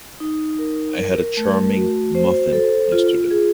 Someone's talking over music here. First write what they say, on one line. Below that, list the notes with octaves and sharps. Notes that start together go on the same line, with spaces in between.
I had a charming muffin yesterday.
D#4
A#4
A#4
A3
F#4
C5
A4
F4
G#4